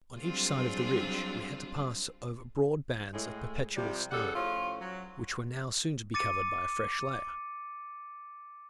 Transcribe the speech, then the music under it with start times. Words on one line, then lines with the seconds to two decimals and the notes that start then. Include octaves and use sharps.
On each side of the ridge, we had to pass over broad bands of perpetual snow, which were now soon to be covered by a fresh layer.
0.19 F#3 G3 C4 D4 F4 G#4
3.13 A2 G#3
3.75 C3 F3 G3
4.11 C#3 G3 A4 F#5
4.35 A2 F3 C#4 F4
4.80 F#3
6.14 D6 A6 C#7 D#7